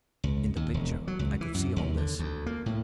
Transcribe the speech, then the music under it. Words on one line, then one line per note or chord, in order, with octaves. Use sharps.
In the picture I could see all this.
C#2
D#2
E1
F#3
C#2
E3
F#2
D#2
D3
D2
A#3
A2